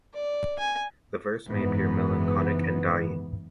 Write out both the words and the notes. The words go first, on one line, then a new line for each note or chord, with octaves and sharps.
The verse may appear melancholic and "dying".
D5
G#5
F#1 G#2 E3 B3